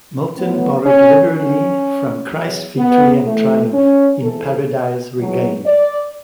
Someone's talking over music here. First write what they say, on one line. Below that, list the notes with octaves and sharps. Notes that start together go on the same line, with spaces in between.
Milton borrowed liberally from "Christ's Victory and Triumph" in "Paradise Regained".
A2 F#3 B3
C#4
E2 D3 F#3 C#4
E2 B2 F#3
B3
A2 E3 A3
C#4
G#2 E3 A4
E2 B2 F#3
D5